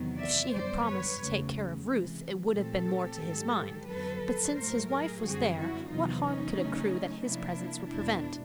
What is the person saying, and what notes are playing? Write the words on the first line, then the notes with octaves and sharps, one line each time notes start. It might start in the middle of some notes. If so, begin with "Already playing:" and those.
If she had promised to take care of Ruth, it would have been more to his mind; but since his wife was there, what harm could accrue that his presence would prevent?
Already playing: E2 C3 D#3 F#3 B3
D5 E5
F#2 D3 G3 B3 C5 D5
B4 C#5
E2 C#3 F#3 A3
C3 E3 G#3
A#2 F3 A3 C4 G4 A4
G#2 D#3 F#3
F2 D3 F#3 B3 A4 B4
A2 F#3 A3 A#4 C5
G#4 A#4
F#2 D3 G3 C4 F#4 G#4
E4 F#4
E2 C3 D#3 F#3 B3 D#4 F4
C#4 D#4
C#3 F#3 A3
C3 F3 A#3 D4 E4
E2 B2 G#3 D4 E4